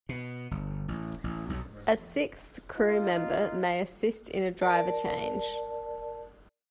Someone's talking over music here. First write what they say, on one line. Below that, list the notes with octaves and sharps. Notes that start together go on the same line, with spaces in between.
A sixth crewmember may assist in a driver change.
B2
G1
A1
A1
B1
D#4 F4
A#4 D5 A5